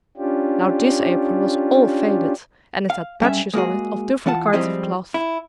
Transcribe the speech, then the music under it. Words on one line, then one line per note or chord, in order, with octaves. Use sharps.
Now, this apron was all faded, and it had patches on it of different kinds of cloth.
C#4 D4 F4 G4
F5
B1 G3 C#4 E5
G#3 A#3 F#4 G#4
E3 B3 F4 F#5 A5
F3 G3 G#3 C4 E4 D#5
E4